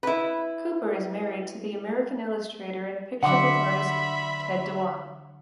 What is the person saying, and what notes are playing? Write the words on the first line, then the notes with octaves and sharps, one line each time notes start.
Cooper is married to the American illustrator and picture book artist Ted Dewan.
E4 B4
D3 F#3 D5 E5 F#5 B5 C6 D6